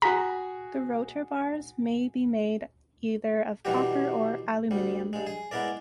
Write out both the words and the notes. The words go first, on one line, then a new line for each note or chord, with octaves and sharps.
The rotor bars may be made either of copper or aluminium.
F#4 G#4 A#5 B6
B2 D#3 E3 G3 F#4 G4
D2 G3
G2 G#3
G#4
G#3 B3 E4 A#4 D5